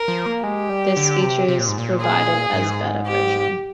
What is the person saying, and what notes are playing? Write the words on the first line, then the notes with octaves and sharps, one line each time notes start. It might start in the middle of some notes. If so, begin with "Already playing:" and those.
This feature is provided as beta version.
Already playing: A#4
F3
A#3
G#3 G4
G3
D3
C3
C3
A#2
G#2
A#2
G#4
G#2
G4